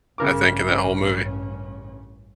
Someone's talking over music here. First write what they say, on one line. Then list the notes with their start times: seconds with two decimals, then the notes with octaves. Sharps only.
I think in that whole movie.
0.18 A1 G2 C#3 C#4 A#4 D6